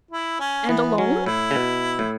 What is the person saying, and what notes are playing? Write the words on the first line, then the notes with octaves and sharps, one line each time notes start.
"And alone?"
E4
C#4
E3 B3
F#3 C#4
A2 E4
C#3
B2
A2